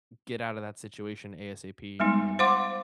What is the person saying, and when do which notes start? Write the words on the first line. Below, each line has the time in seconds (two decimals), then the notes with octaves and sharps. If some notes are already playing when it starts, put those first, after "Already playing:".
get out of that situation ASAP and
2.00 G3 G#3 B3 D#4
2.39 C5 F5 F#5 C6 D6